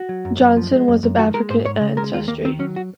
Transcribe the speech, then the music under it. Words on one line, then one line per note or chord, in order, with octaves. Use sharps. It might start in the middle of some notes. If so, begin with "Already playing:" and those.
Johnson was of African ancestry.
Already playing: F#4
F#3
F#2
F#2
F3
G#3
F#2
F#2
D#3 F#4
G#3 A#4
G#2 C5
G#2 C#5
C#3
G#3 A#4
D#2 F4
D#2 A#3
D#3 C4
F#3 C#4
F#4